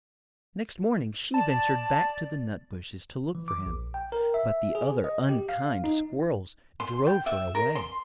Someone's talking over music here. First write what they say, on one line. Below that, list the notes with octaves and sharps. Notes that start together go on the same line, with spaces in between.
Next morning she ventured back to the nut bushes to look for him; but the other unkind squirrels drove her away.
D5 A5
E3
D6
A#1
G5
A#4
E5
G#4
D#5
G4
F5
D#4
C6
G5
E5
A#4
C6